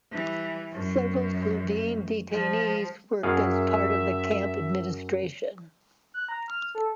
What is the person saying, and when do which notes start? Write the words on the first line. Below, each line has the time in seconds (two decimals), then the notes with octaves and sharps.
Several Slovene detainees worked as part of the camp administration.
0.12 E3 G3
0.73 F#2
2.31 F3
3.23 F#2 G#4 E5 F5
6.14 F#6
6.29 A#5
6.48 F6
6.75 A4